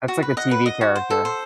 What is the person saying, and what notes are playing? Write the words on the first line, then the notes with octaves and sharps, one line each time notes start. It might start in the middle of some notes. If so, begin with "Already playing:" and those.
That's like the TV character.
F#4
B4
D#5 F#5
B4
D#5
F#4
C5
A4
C5